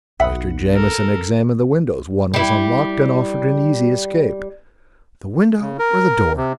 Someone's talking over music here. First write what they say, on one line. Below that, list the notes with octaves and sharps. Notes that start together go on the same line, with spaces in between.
Mr. Jamieson examined the windows: one was unlocked, and offered an easy escape. The window or the door?
B1 E5 F#5 B5 D#6
A4 A#4
G3 E4
C#3
A#4
C3